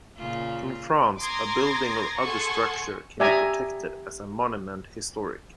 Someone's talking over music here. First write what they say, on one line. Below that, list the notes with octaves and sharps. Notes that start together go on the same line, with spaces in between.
In France a building or other structure can be protected as a Monument historique.
A#2 C#3 F4
A#5 C6 D6 D#6 G#6 A#6
G#4 A4 F#5 G#5 C6 C#6
G4 D5 E5 G#5 A#5